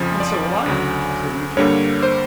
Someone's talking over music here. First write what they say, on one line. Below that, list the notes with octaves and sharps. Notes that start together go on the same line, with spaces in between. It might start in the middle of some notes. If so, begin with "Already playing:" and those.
'And so will I,' said Eugene.
Already playing: F2 C#3 F3
D5
D2 C#3 F#3
G2 D3 G3 A#3 C#5
C5